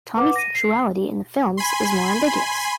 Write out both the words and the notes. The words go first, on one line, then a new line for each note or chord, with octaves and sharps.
Tomie's sexuality in the films is more ambiguous.
B4 F#5 D6
A#6 D#7
C7
G#5 B5 C6